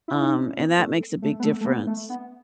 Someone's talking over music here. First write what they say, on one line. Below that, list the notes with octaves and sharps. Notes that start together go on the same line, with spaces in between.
um, and that makes a big difference,
E4
D#4
C#4
B3
A3
A3
B3
A3
A3
B3
A3
B3